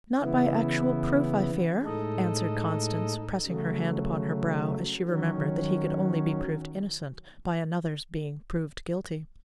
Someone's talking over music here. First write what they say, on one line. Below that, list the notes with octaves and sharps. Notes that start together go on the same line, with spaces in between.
"Not by actual proof, I fear," answered Constance, pressing her hand upon her brow as she remembered that he could only be proved innocent by another's being proved guilty.
C#3 E3 B3 E4
A2 G#3 D#4 A4 D#5
C#3 F#3 A3
D#3 F#3 C#4